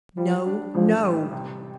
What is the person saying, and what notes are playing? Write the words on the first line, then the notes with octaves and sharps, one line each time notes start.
"No, no!"
F3 G3
D4
A1 F3
G3
C3